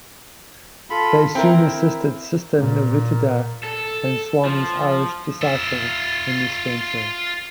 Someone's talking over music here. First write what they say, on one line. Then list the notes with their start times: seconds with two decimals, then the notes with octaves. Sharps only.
They soon assisted Sister Nivedita, the Swami's Irish disciple, in this venture.
0.90 F4 A4 B5
1.35 C4 E4 A#4
2.59 A#2
3.64 A4
4.45 F3
5.42 F4 E5